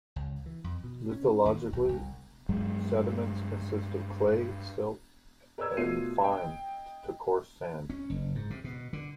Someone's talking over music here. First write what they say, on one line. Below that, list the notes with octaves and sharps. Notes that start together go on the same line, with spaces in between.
Lithologically, sediments consist of clay, silt and fine to coarse sand.
C#2
E3
F2
B2
C#4
D#2
A#1
C2
G2 F#3 G#3
A#4 B4 C#5 D5 E6 G#6
B2 A3 F4 F#4 C7 D#7
D#5 G5
C#4
F#1
G#2
C3
B2
D3